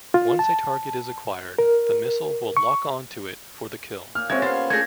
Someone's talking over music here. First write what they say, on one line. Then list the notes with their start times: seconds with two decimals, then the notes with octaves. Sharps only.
Once a target is acquired, the missile will lock-on to it for the kill.
0.14 F4
0.39 A5
1.59 A#4
2.57 C#6
4.15 A#2 F6
4.30 G#3 C4 C#4 G4 E5 F#5 C#6 G#6
4.42 B3 C5 F5 A6
4.70 A3 G#4 F5 G#6 A#6